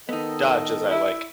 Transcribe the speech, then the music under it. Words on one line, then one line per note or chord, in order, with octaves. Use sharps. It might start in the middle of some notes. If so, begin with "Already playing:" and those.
Dodge as I like.
D#3 B3 D#4 A4 D#5
E4 E5